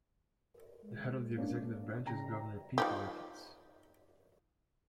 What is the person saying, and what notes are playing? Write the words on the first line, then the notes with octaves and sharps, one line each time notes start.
The head of the executive branch is Governor Pete Ricketts.
G#3
A#3 C#4 D4
C#3 G5 A#5 A#6
F3 D#4 G4